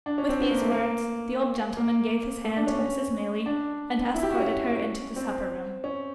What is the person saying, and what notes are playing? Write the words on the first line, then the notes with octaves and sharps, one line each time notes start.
With these words, the old gentleman gave his hand to Mrs. Maylie, and escorted her into the supper-room.
D4
C#4
C4
B3
A#3
A3
A#3
A#3
A3
D4
C#4
C#4
D4
E4
G4
F#4
C#4
C4
C#4